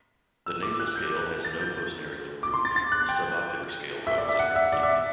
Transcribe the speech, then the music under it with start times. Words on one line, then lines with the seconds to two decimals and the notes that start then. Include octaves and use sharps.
The nasal scale has no postnarial groove; the subocular scale row is incomplete.
0.46 E6
0.62 D6
0.79 F#6
0.95 G6
1.45 A6
1.61 G6
2.43 D6
2.54 C6
2.65 A6
2.76 A6
2.92 F#6
3.09 G5
4.07 E5
4.18 D5
4.29 E5
4.39 F#5
4.56 E5
4.72 D5
4.83 E5